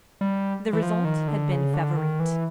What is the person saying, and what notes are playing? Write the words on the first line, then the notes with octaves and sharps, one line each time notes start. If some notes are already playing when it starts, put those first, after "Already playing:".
The result had been Favourite.
G3
E3
F3
D#3
D3
C#3
D3
D#3
E3